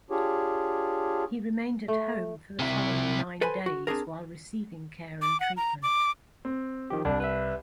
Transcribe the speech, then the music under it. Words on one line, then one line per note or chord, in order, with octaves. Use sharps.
He remained at home for the following nine days while receiving care and treatment.
D4 F4 G4 G#4 C#5
A3
C3 E4
A4 B4 C5 G#5 B5 C6
F#4
C4 D4 F4 G#4 A#4
D6
F#5
A#5
D6
C4
D#3 F3 G4
C2 D4
B4 E5